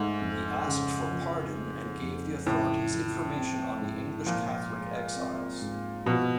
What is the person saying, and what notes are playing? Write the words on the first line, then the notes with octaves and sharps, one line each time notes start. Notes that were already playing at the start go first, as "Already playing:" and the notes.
He asked for pardon and gave the authorities information on the English Catholic exiles.
Already playing: G#2 A3
F2
C#3
F3
A3
F2
A2 C#3
F3
C4
G#2
A#2 F3
G#3
C4
G#2
B2 F3